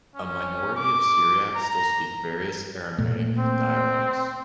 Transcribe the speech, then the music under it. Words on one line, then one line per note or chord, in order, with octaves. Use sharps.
A minority of Syriacs still speak various Aramaic dialects.
C#4
D6
A#5
A#2 A3
C4